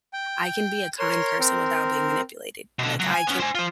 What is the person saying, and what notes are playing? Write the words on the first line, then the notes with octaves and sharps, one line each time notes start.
I can be a kind person without being manipulated." Like, I can,
G5
A#4 C#5 C6
C4 A#4
B2 D3
C#2 F#3
G#5
B3 C#4
C5 G#5
F4 C5